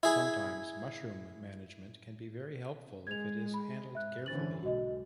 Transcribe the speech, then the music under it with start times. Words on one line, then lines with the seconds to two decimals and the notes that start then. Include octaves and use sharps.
Sometimes, mushroom management can be very helpful if it is handled carefully.
0.03 E4 G#4
3.07 G#3 G#6 F7
3.54 B5
3.95 G#2 E5 F#6
4.26 D3 E3 C#4 C5 A6 F#7
4.63 B1 G#2 D3 F#4 D#5